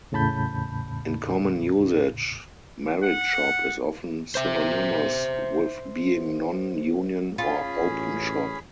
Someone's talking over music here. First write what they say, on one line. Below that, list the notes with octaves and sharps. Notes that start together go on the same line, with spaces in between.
In common usage, "merit shop" is often synonymous with being non-union or open shop.
E2 A2 C#3 A5 B5 G6
F#5
C5 E5
C#4 F4 G#4 B5
A1